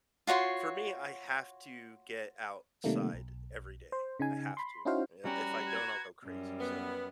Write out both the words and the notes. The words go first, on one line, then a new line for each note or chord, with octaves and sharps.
for me, I have to get outside every day, I have to, eh, if I don't, I'll go crazy so,
F4 F#4 C#5 C6
C3 D#3 G3 A3 A#3
B1
C5
C#3 D#4 G#5
B5 C6
C#4 D#4 E4 F#4 C5 F5
G3 C#4 F#4 G4 B4 A#5
G#6
F#2 G3
B3